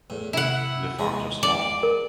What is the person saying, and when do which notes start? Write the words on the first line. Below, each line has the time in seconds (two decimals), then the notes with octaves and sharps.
The farms are small.
0.10 E2 A2
0.33 C3 E4 F#5
0.99 G#3 G#4
1.43 D5
1.83 A#4